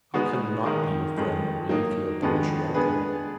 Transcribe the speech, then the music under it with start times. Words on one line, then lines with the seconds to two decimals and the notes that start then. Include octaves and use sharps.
'I cannot be your friend, Marie, if you oppose your uncle.
0.14 G#3 B3 D#4 F#4
0.65 D#3 G#3 D#4 A#4
1.17 F2 D#3 G#3
1.69 F#3 A#3 D#4
2.22 F2 D#3 G#3 B3 D4
2.74 G#3 B3 D4 G#4 B4